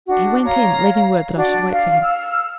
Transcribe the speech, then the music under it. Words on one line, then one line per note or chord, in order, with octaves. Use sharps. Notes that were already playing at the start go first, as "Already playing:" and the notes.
He went in, leaving word that I should wait for him.
D4 F#4
C#5 F5 A#5
D4 F#4 D5
F5
E6 F6